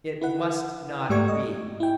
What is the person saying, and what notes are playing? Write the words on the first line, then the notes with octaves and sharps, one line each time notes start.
It must not be!...
E4 B4 F#5
G#2 A3 G4 D5 C#6 G#6
D#5
E4 G5